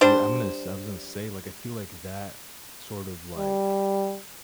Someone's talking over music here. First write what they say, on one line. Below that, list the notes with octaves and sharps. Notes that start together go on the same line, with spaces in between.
Yeah, I'm gonna s I was gonna say, like, I feel like that sort of, like,
G3 D4 C5
G3